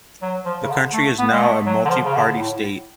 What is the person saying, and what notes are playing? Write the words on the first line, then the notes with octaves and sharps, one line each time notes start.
The country is now a multiparty state.
F#3
F3
C#3
D3
A3
B3
G#3
A3
F#3
D3
F3
C#3
D3
A2